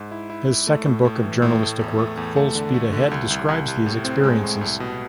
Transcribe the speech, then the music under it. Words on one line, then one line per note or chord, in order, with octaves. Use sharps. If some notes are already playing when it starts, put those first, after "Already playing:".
His second book of journalistic work, "Full Speed Ahead", described these experiences.
Already playing: G#2
E4
E4
E4
A3
A2
A2
E3
A2
A3
E2
A3
E2
A3
D3
A3
D3
C2
C2
C2
C2
A2
C4
G#3
A2
C2
B2